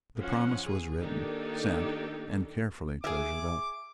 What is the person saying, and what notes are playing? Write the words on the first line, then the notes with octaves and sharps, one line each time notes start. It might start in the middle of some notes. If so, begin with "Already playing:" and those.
The promise was written, sent, and carefully treasured up.
F3 C#4 F#5
G#4
D#3 A#3 D4 D#4 G4 A4
G#4 E5 D6